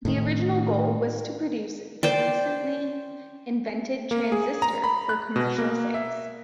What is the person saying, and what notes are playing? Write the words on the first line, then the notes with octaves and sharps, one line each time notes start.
The original goal was to produce the recently invented transistor for commercial sales.
A2 D#3
C5 D5 G5
A#3
G#4
A#5
B5
F#6
B2
A#3
E5